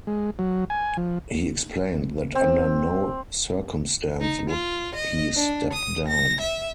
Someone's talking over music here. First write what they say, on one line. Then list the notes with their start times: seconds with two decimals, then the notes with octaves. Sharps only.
He explained that under no circumstance would he step down.
0.07 G#3
0.39 F#3
0.70 G#5
0.97 F3
2.35 C4
4.20 D#4
4.49 F4
4.95 D#5
5.35 D4
5.73 D#6
6.08 A#6
6.40 E5